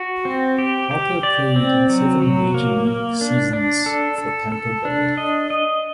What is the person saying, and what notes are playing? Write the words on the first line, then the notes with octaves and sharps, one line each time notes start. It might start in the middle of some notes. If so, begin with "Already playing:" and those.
Harper played in seven major league seasons for Tampa Bay.
Already playing: F#4
C4
G4
G4
D5
C4
F#3
F#3
A#3
A#3
D4
D4
A4
A4
A4
D4
D#5
D#5